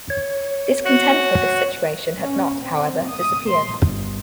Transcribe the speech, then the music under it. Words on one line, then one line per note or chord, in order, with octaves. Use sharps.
Discontent with this situation had not, however, disappeared.
C#5
F#4 F#5
C#4
C4
D#6
C6
G1